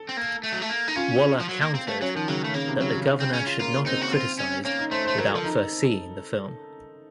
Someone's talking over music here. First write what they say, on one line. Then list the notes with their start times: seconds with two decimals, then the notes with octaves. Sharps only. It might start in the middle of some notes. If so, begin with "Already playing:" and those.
Waller countered that the Governor should not have criticized without first seeing the film.
Already playing: A4
0.09 C4
0.17 A#3
0.44 A3
0.52 F#3
0.62 A3
0.69 A#3
0.88 D#4
0.96 C#4 F4
1.40 F3
1.49 F#3
1.62 A#3
1.75 C4
1.88 A3
2.01 F#3 C#4
2.15 D#3 F3
2.28 C#3 F#3
2.44 A3
2.54 C#3 A#3
2.68 C3
2.81 C#3 F#3
3.07 C#3
3.20 C4
3.33 C#4
3.47 F4
3.60 A#3 F4
3.86 C4 D#4
4.02 F#4
4.12 C4 F4
4.39 C#4
4.65 A#3 C#4
4.79 D#4
4.91 A3 C5
5.05 A3 C5
5.18 F#3 A#4
5.31 A4
5.35 F3
5.44 D#4